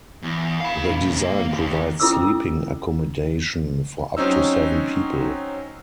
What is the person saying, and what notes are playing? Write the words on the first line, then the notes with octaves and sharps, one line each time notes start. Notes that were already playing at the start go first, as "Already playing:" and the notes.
The design provides sleeping accommodation for up to seven people.
E2
F5 B5
A#2 D4
C3 C#4
A#3
D#2
C#4 E4 A4 D6 E6
F#3 C4 C#4 D#4 E6